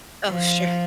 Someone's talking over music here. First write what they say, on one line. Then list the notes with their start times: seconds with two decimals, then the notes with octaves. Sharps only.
Oh, sure.
0.28 F3